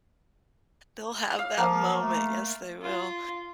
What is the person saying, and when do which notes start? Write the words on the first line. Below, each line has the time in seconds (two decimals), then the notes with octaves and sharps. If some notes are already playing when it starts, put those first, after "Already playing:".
They'll have that moment, yes they will.
1.39 F5
1.58 F3 A#3
2.01 A3
2.82 F4